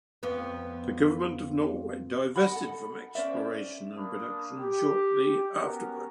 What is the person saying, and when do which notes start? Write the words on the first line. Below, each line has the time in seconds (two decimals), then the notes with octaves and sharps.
The government of Norway divested from exploration and production shortly afterward.
0.23 F2 B3
2.36 D#5 F#5 B5
2.56 A4
3.15 C#4 C5 D5 E5
3.96 A#3 D4 B5 D#6
4.59 G4
5.59 B3 C#4 F#4 A#4